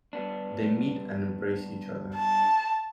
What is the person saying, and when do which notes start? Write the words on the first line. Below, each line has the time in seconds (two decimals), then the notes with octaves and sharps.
They meet and embrace each other.
0.13 G3 B3 D4
2.16 A5